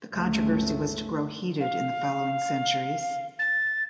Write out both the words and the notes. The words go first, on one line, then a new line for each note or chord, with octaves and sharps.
The controversy was to grow heated in the following centuries.
G1 C#2 A3
F5
A6